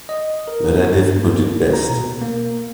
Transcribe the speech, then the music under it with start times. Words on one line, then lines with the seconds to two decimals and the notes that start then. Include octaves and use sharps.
Meredith put it best.
0.09 D#5
0.48 A#4
0.94 G2
1.18 A#3
1.73 A#5
1.90 B2
2.21 A#3